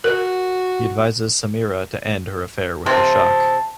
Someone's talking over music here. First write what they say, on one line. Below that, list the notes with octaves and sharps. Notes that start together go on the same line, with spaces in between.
He advises Sameera to end her affair with Ashok.
F#4 A#4
C3 C4 A5